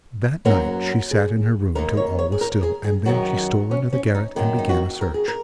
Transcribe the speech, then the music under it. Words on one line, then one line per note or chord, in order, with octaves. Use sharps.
That night she sat in her room till all was still, and then she stole into the garret and began a search.
F#2 F#3 A#3 A#4
G#4
D#2 D#3 A#3 A#4
C#5
C#5
G#4
A#4
G#4
G#4
F#2 D#3 F#3 F#4
C#4
C#4
D#4
F#2 D#3 A#3
D#4
F#4
A#4
G#4
A#4